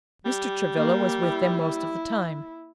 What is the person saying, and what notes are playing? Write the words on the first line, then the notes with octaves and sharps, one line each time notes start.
Mr. Travilla was with them most of the time.
G3
A#3
E4